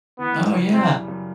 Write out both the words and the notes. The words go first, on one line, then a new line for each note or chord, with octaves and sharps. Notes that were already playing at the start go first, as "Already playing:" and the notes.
Oh, yeah.
E3 B3
E3
C#3
F#2 C4
G3
F#2